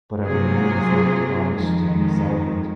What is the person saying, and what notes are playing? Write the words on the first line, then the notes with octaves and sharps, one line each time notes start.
But every man's not obliged to be solvent?
C3 F#3 A#3 F4 G#4
F2 D#3 G#3